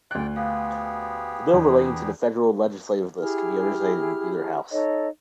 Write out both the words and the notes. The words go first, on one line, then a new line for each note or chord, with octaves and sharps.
The Bill relating to the Federal Legislative List can be originated in either House.
D2 D5 G5 F#6
B3 G4 G#4 F5
E2 D4
E4 G4 G#4 F6
D#4 A4 C#5 D#5